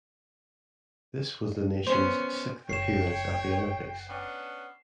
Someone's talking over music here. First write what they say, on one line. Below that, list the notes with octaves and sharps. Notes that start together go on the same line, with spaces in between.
This was the nation's sixth appearance at the Olympics.
B3 C#4 C5
F#1 C#5 G5 C7 E7
B3 C#4 D4